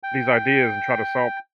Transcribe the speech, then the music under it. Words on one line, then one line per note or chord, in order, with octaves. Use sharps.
these ideas and try to solve
G5